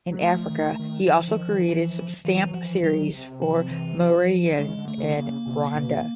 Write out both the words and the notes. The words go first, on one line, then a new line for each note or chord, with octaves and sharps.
In Africa, he also created some stamp series for Mauritania and Rwanda.
F#3
A3
F3
D#3
D#3
E3 F3
D#3
D#3
E3
E3 F3
F#3
F3
E3
D#3 F#3
C3
F3
E3
F3
D3
C#3 G#3
D3
A3
C#3
C#3 A#3
C3
B2